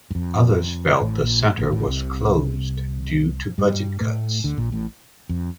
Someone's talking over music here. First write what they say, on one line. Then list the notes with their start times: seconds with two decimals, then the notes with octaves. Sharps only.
Others felt the center was closed due to budget cuts.
0.11 G2
0.15 F2
1.01 A1 A2
1.22 A#1 A#2
1.58 A#1 A#2
1.72 A1 A2
1.80 D3
1.87 C2 C3
3.58 G2 G3
4.01 A2 A3
4.44 D2 D3
4.58 A#1 A#2
4.72 A1 A2
5.29 F2